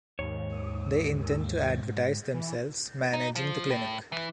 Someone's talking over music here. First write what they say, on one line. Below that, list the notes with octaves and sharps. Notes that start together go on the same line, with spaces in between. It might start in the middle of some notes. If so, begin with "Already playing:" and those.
They intend to advertise themselves managing the clinic.
D#2 G#2 C#5
E3
D#4
F3
A2
E3